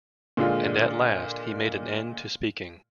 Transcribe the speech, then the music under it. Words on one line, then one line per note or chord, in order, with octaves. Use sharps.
And at last he made an end to speaking.
A#2 D3 G#3 F4